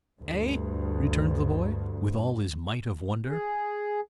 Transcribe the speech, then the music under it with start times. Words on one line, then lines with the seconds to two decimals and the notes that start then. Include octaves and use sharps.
"EH?" returned the boy, with all his might of wonder.
0.20 D2 G2
3.27 G#4